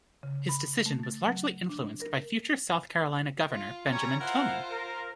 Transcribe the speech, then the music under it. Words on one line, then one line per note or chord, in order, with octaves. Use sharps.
His decision was largely influenced by future South Carolina Governor Benjamin Tillman.
C#3
B5
A3
A6
F#3
D4
A#4
F4
G3 C#4 C#5 A#5
E4 F4 A#4 C5 F#5
A#4